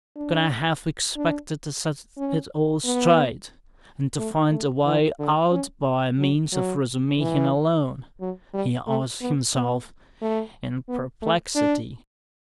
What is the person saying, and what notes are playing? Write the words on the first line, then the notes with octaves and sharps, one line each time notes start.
"Could I have expected to set it all straight and to find a way out by means of Razumihin alone?" he asked himself in perplexity.
D4
D4
C#4
B3
A3
A3
E3
D3
C#4
F#3
F#3
E3
F#3
G3
A3
B3
B3
A3
B3
A3
D4